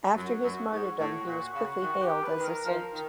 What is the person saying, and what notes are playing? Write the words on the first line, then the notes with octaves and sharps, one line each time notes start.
After his martyrdom, he was quickly hailed as a saint.
F#2 F#4
F#2
G#2
A2
A#2
C#3
D#3 F#4
G4
B4
D#3
A#4
F3 A#4
D#3